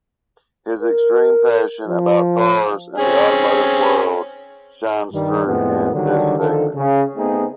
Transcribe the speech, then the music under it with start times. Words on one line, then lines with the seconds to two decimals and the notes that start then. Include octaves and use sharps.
His extreme passion about cars and the automotive world shines through in this segment.
0.82 A#4
1.88 F3
2.98 C4 C#4 G#4
5.13 G2 D#3 G3
5.46 F2 A2 G#3 B3 C4
5.93 D3 D#3 F#3 G3 D4
6.38 D3 D#3 F3 A4
6.75 C#3
7.16 A3 B3 C4 D#4 G#4